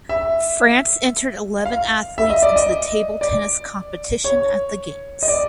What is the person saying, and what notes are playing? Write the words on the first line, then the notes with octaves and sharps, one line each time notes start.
France entered eleven athletes into the table tennis competition at the games.
E5
F5
E5
D#5
D5
D#5
D5
C#5
D#5
D5